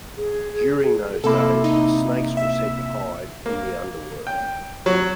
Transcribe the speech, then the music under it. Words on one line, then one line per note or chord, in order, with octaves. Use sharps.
During those days, snakes were said to hide in the underworld.
G#4
C3 A#3 E4 A4
D#4
E5
A#3
G5
F#3